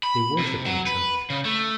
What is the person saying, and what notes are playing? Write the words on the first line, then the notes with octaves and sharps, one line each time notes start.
They worship their church.
B5
C3
F#3
B4
C#3
A3